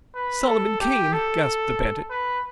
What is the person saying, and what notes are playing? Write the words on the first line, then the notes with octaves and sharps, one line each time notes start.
"Solomon Kane!" gasped the bandit.
B4
A4
G4
A4
B4